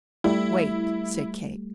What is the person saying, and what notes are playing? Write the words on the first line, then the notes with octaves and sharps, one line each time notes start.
"Wait!" said Kate.
G3 A3 E4